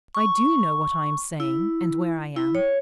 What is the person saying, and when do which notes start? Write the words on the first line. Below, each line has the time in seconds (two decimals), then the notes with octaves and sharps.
I do know what I am saying and where I am.
0.15 C#6
1.40 E4
2.36 E4
2.55 C#5